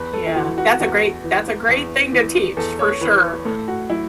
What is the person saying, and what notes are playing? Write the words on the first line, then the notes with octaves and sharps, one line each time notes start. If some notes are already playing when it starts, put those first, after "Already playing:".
Yeah, that's a great that's a great thing to teach for sure.
Already playing: E2 B4
A4
E4
E3 F#4
F#4
E2 F#4
E3
E2
E3
E2 A4
C#5
E3 B4
A2 A4
F#4
F#3 E4